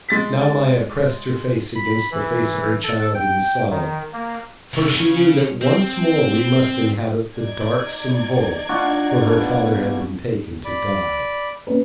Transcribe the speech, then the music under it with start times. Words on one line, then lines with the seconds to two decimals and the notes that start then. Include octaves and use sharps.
Now Maya pressed her face against the face of her child and sobbed, for she knew that once more we must inhabit the darksome vault where her father had been taken to die.
0.09 G#3 A6 B6
1.75 B5
2.11 E3
2.84 A4
3.15 G5
3.70 D#3
4.13 A#3
4.73 C3 A3
4.96 C#3 C#5
5.62 C4
7.39 D#4 D5 G#6
8.69 D4 F4 F#4
9.27 B2
10.65 D5 B5
11.67 A#3 C#4 B4